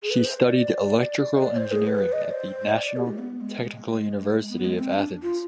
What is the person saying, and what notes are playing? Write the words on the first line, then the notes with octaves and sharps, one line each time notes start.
She studied electrical engineering at the National Technical University of Athens.
G#4
B4
C5
D#5
D5
D#5
D5
C5
G#4
B4
D#5
D5
C5
D#5
D5
D5
G4
G#3
B3
G#3
G#3
B3
G#3
C4
D4
F4